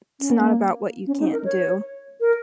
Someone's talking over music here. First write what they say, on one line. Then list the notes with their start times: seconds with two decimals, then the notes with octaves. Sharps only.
It's not about what you can't do.
0.20 C#4
0.32 A#3
1.07 C#4
1.20 D#4
1.32 A#4
1.45 C#5
2.21 A#4